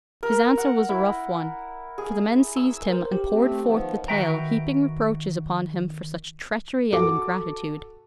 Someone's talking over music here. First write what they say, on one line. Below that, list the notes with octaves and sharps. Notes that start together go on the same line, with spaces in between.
His answer was a rough one, for the men seized him and poured forth the tale, heaping reproaches upon him for such treachery and ingratitude.
A#4
F#5
E4
G#4
E6
A#4 C5
G4
A3 C4
D#3 F3 B3
D#3 F#4 B4 E5 G5 A#5
F#4 A4 D6